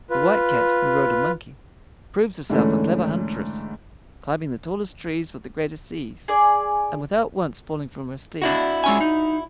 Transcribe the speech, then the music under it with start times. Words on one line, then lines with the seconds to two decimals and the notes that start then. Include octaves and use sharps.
The White Cat, who rode a monkey, proved herself a clever huntress, climbing the tallest trees with the greatest ease, and without once falling from her steed.
0.10 F4 B4
2.50 G#2 D3 E3 A3 C#4
6.28 G#4 D5
8.42 D4 E4 F#4
8.84 G#3 C#4 G#5
9.01 D#4